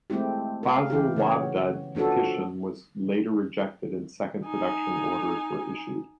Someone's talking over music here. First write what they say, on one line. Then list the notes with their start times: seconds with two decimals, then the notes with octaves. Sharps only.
Faisal Wavda petition was later rejected and second production orders were issued.
0.10 G#3 A3 C4 E4 G4
0.63 A#4 F5
0.90 E3 E4 G4
1.16 C#3 B3 C#5
1.95 F3 B3 D4 F#4 A4
4.46 D#4 G#5